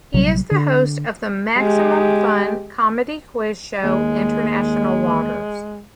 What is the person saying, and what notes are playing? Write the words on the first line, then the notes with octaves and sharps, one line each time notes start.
He is the host of the Maximum Fun comedy quiz show International Waters.
A#1 C3 F#3 G3
D3
G#3 G4
D#2 G#3